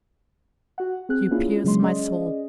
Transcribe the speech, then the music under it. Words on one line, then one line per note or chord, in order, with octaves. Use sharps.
You pierce my soul.
F#4 F#5
C4 G#4 F#6
A#3 C#4 D4 E4 F4 G#4
C#3 F#3 G#3 C6
C#4 G#4 D5 D#5